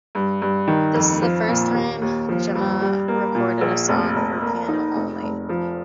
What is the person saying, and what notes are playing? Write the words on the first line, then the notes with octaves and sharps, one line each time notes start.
This is the first time Gemma recorded a song for piano only.
G2
G2
D#3
F2
F3
A#2
D#2
D#2
F3
G2
G3
A#3
A#2
A#1
F1
F1
A#3
D#4
F1
F1
F3